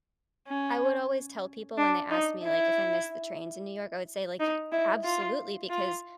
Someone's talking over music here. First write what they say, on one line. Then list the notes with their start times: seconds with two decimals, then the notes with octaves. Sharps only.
I would always tell people when they ask me, like, if I miss the trains in New York, I would say, like, "Y absolutely, because,
0.48 C#4
1.77 D4
2.10 D#4
2.43 E4
4.40 D#4
4.72 E4
5.04 F4
5.70 F4